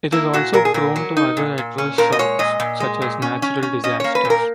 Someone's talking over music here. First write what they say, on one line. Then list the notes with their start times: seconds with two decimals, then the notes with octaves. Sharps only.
It is also prone to other adverse shocks such as natural disasters.
0.12 A#3 E4
0.33 A#2 F#4
0.53 A#2 A#4
0.65 G#4
0.74 A#2 A#4
0.96 F#3
1.17 D#4
1.37 A#2
1.58 A#2
1.78 C#4
1.98 A#2 A#4
2.12 D#5
2.19 G#3 C#5
2.39 A#2 D#5
2.60 A#2
2.80 G#3
3.02 A#2
3.22 C#4
3.42 C#4
3.63 C#4
3.84 C#4 D#5
4.00 A#3 C#5
4.15 B4
4.25 A#2
4.30 A#4